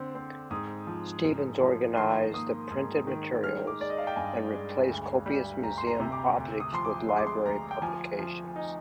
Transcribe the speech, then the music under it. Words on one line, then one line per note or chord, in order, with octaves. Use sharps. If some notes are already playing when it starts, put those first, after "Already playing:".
Stevens organized the printed materials and replaces copious museum objects with library publications.
Already playing: D3 C4
C4
G#2 D#6
F3
G#2
F3
D#3 C6
A#3 D#6
G#2
D#3
G#3 F6
D6
G#3 D5
D#5
F5
G5
G2 G#5
G#3
D2
G3
D2 A#5
C6
A#5
C3
D6
D2
D#6
F3 C6
D6
G#3 C6
D6
C6
D2 A#5
G5
F3 G#5
F3
D#4